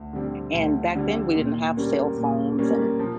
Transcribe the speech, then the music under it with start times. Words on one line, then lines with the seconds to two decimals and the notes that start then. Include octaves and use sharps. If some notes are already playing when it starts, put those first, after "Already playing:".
And back then, we didn't have cell phones and,
Already playing: D2
0.13 D3 G3 C4
0.54 D2
0.95 D3 G3 C4
1.35 A#2
1.77 G3 A#3 C#4
2.18 A#2
2.58 G3 A#3 C#4
2.99 F3